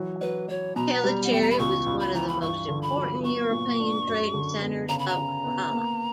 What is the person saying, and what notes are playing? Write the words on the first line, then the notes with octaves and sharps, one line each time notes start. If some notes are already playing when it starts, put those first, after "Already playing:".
Tellicherry was one of the most important European trading centers of Kerala.
Already playing: E3 F#3
F#3 B4
F#3 C#5
B2 A#5
G3
F#5
E2 G5
A#5
B5
C#2 C#6
C#2
B5
E3 A#5
B5
G2 C#6
D3
B5
F#3
B3 C#6
A#2
D4
F#2
D3
B3
C#3 A#5
B5
A#5
C#3
B3
A#3